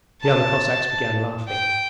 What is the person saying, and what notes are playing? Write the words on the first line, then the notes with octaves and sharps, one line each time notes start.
The other Cossacks began laughing.
A5
G5